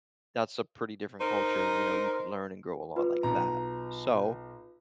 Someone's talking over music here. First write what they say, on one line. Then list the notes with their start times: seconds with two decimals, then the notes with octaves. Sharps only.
that's a pretty different culture, you know, you could learn and grow a lot like that. So,
1.20 D#4 A#4 C5
2.96 F4 B4
3.23 B1 A#5